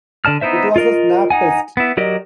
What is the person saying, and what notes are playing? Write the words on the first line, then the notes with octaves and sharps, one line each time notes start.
It was a snap test.
D3 D5 A5 F6
B3 D#4 E4 C5 E5
F4 A#4 D#5
D#4 F#5 G#5
B3 E4
F#3 G4 A#4 D5 D#5